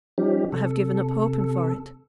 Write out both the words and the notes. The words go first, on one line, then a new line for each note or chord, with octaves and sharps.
I have given up hoping for it.
F3 G3 C#4 D#4 G4
C3 A4